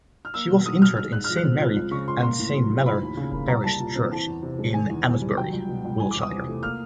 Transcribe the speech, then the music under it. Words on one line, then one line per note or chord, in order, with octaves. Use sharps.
She was interred in Saint Mary and Saint Melor Parish Church in Amesbury, Wiltshire.
F6
A#3 E6
B2
F#3 D#6
B2 F6
G#3 F6
G#2 F#6
F3 F6
F#6
C4
F3
C#2
C#3 C#6
C#2 C6
A#3 C6
A2
F#3
A2
F3 B5
D#2
C#3
A#3
G3 A#5
C2 A5
A#2
C4
E3 A5
E2
C3
G#3
D#3 G#5
E2
C3
G3
F#3 G5
C#2
B2
C#2
E3 G#5
E2 D6
D#6
C3
A3
A#3 F6